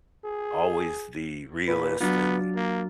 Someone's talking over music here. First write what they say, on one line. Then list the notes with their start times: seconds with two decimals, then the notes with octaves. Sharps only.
always the realist and
0.24 G#4
1.68 A#2 B4
2.01 F#3 B3 D4 F4
2.56 A#3